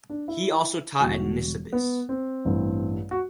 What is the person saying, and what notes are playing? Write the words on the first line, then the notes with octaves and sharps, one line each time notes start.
He also taught at Nisibis.
D4
E4
E1 E2 D3 G3 F#4
B3
C4
A1 G2 E3 G3
F#4